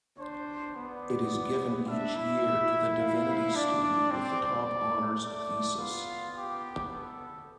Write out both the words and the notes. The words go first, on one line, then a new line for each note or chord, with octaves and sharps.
It is given each year to the Divinity student with the top Honours Thesis.
D4 C5
B3 D5
D4 E5
E4
F5
F5
D4 D5
D5
C4 D5
A3 D5
B3 F4
G4
A4